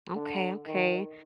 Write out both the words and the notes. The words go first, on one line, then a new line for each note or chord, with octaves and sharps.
Okay, okay.
D3
D#3